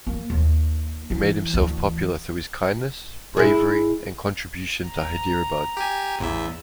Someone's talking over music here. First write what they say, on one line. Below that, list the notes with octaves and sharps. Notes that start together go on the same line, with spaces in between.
He made himself popular through his kindness, bravery and contribution to Hyderabad.
A#3
D#2
E3
D2 E3
G#3 E4
A#5
G4 G#5
A1 E2 E5